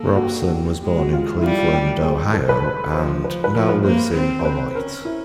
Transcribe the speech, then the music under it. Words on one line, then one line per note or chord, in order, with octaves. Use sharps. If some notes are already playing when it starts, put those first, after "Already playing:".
Robson was born in Cleveland, Ohio and now lives in Beloit.
Already playing: A#3 A4
F#4
G4
G#3 G4
F#4
F4
E4
G3 F4
F4
G4
G#4
A4
B4
C5
F3 C5
B4
B4
F3 A#4
B4
A#3 C5
C4
C5
B4
C#4 A#4
E4